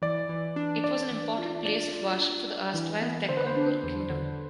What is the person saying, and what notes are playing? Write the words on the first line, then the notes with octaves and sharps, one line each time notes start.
It was an important place of worship for the erstwhile Thekkumkur Kingdom.
E3 D5
E3
D4
D4 D5
E3
F4
D4 D5
F4
D4
D4
E3
B3
D3 C5
B4
C5
D4
E2
D3